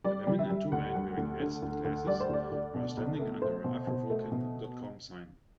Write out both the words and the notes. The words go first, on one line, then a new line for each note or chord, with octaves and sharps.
A woman and two men wearing hats and glassess are standing under a avrovulcan.com sign.
G3 D5
G3
E5
G3
D2 F#5
G3
D2
D3
D2
D2
G3 D5
C5
D2 D5
D2
B2
B1
A3
A3 C5
B2
B2
A3
B2